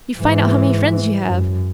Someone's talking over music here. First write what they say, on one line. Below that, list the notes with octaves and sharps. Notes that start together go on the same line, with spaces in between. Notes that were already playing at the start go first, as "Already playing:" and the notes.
You find out how many friends you have.
G#2 E3
F#2